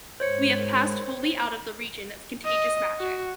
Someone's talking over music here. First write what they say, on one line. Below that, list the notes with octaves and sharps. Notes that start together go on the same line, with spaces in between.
We have passed wholly out of the region of contagious magic.
G#2 G#3 A#4 C5 C#5 C#7
D#5
F#4